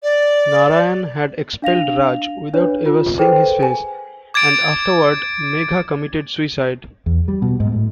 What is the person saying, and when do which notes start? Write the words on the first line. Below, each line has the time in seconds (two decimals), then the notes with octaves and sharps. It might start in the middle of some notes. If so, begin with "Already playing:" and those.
Narayan had expelled Raj without ever seeing his face, and afterward Megha committed suicide.
0.03 D5
1.62 D4 F5 A#6 F7
2.54 D4 B4 C#5
2.86 F4
3.19 G#4 A4 B4 C5 G5
3.63 G#5
4.34 D6 G#6 A6 D7
7.06 E2
7.28 G3
7.42 B2
7.60 G#2
7.72 A2